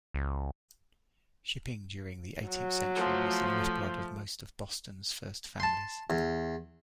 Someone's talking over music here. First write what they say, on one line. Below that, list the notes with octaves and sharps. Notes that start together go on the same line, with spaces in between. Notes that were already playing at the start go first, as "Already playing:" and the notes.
Shipping during the eighteenth century was the lifeblood of most of Boston's first families.
C#2
F#3
F3 A3
A5 C6
E2